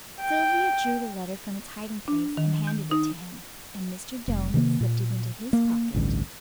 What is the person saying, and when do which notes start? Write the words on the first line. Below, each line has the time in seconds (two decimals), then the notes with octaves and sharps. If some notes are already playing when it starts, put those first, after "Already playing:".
Sylvia drew the letter from its hiding-place and handed it to him, and Mr. Doane slipped it into his pocket.
0.21 G5
2.08 D4
2.37 D#3
2.67 G6
2.91 D#4
4.28 F1
4.54 C3 D#3 G#3 A#3
4.81 A#2
5.53 A#3
5.94 A1 D2 G2